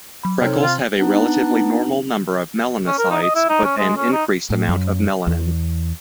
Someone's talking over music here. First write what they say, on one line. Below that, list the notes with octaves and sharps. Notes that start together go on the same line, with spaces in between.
Freckles have a relatively normal number of melanocytes but an increased "amount" of melanin.
F#3 B5
C3 D#4 A4 C#5 G5 F6
F4
B3 D4 D#4
C#4
A#4
D#4
D#5
E4
D#4
C#4
G#3
C#4
D#4
A2
F#2
E2